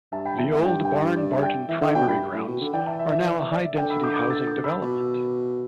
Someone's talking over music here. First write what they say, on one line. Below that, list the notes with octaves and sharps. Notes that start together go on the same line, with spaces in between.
The old Barne Barton Primary grounds are now a high density housing development.
G2 E5 A5
G5 B5
E2 E5 A5
E5
A2
G2 D5 G5
G5
E5
D5
E5
D5 G5
E3 E5
D3 E5
B2 D5 G5
G2 G5 B5
G2
A2
B2
D3
E3 D5 G5
E5 A5
E5
E5
D5
E5
D5
E5
D3 D5 G5
B5 E6
D6 G6
D6 G6
E6 A6
D6 G6
B5 E6
B2